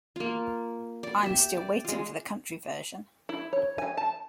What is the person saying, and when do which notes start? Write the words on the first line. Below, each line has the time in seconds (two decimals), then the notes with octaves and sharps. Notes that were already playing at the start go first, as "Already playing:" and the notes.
I'm still waiting for the country version.
0.16 A#3 F4
1.03 D5
1.23 G4 E5
1.57 D5
1.85 G#3 F4
3.29 E4
3.53 C#5
3.78 G#5
3.97 A5